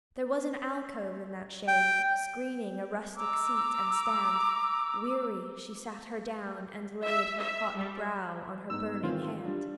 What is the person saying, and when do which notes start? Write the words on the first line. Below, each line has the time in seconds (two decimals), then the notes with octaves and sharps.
There was an alcove in that shade, Screening a rustic seat and stand; Weary she sat her down, and laid Her hot brow on her burning hand.
1.68 G5
3.17 A#5 D6 E6
7.05 E5
7.40 E5
7.77 G3
8.70 G#2 B3 D#4 E6
9.03 D#3 E3 C4 F4
9.45 G3 D4